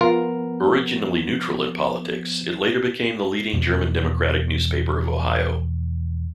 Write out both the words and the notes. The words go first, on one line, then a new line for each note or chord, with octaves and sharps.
Originally neutral in politics, it later became the leading German Democratic newspaper of Ohio.
F3 B3 F4 A#4
E2 B2 F3 A#3